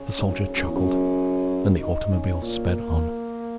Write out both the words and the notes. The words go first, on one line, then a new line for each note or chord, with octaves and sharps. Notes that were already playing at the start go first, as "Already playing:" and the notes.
The soldier chuckled, and the automobile sped on.
Already playing: C#3
G#2
F#2
F#2
E2
F#2
F#3
D#4
C#4
A#2 A#3